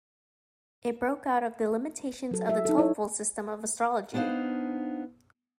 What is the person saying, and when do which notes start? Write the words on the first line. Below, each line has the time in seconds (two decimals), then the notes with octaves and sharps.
It broke out of the limitations of the twelvefold system of astrology.
2.31 F#3 A4
2.49 E5
2.65 D#4 A4
2.78 E4 C#5
4.14 B3 D4 D#4 C5 F5